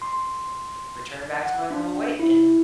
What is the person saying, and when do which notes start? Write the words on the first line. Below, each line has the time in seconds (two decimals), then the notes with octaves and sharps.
returned back to my normal weight in
0.02 C6
1.43 F#5
1.71 D4
2.20 E4